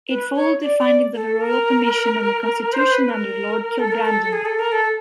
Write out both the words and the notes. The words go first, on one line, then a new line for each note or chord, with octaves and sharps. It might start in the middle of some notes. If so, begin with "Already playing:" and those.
It followed the findings of a Royal Commission on the Constitution under Lord Kilbrandon.
B4
C#5
D5
D5
A4
A#4
C5
B4
A#4
A4
A#4
A4
G#4
A4
A#4
A4